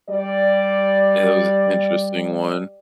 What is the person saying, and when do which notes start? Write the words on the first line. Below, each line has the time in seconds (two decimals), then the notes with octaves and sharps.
It was interesting one.
0.10 G3 D5